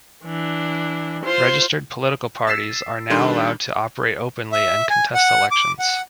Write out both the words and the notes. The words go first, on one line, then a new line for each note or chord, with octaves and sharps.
Registered political parties are now allowed to operate openly and contest elections.
E3 D4
F4 C5
E6 A6 B6 C7 E7
D#3 G3 D4 A4 C6
E5
G#5
F#5
D6
F#5